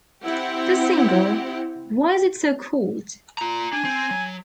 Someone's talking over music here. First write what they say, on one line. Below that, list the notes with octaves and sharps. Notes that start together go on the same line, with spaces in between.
The single Why's It So Cold?
C4 E4 G4 F#5
F4 A#5
D4 G#5
C4 C5
F#3